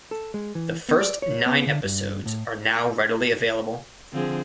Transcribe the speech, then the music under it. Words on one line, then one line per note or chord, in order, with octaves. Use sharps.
The first nine episodes are now readily available.
A4
G#3
E3
B3
D5
C#5
B3
D3
G2
A2
D3 F3 C4 G#4